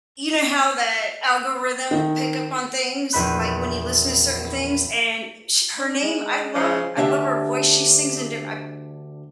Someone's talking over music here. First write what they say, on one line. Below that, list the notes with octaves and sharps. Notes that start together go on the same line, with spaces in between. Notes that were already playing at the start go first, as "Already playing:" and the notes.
you know, how that algorithm will pick up on things, like, when you listen to certain things, and sh her name I love I love her voice, she sings in diff I
D#3
A#1 E2 B4 E5 B5 F#6
D4
G#3
C#3 F3
D2 D4 G4 E5 F#5 A5